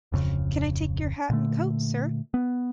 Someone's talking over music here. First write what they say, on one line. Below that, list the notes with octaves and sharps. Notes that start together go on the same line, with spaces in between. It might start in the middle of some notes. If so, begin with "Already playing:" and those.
Can I take your hat and coat, sir?
D1 F2 C#3
A#2 D3 A3
B3